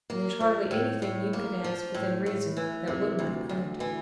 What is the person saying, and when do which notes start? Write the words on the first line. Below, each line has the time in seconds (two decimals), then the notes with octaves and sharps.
"And there's hardly anything you could ask, within reason, that wouldn't be granted."
0.10 A#3
0.40 F3
0.71 A2
1.02 A2
1.33 A#3
1.64 F3
1.94 A2
2.26 A2
2.57 E3
2.88 C3
3.19 D2
3.49 D2
3.80 E3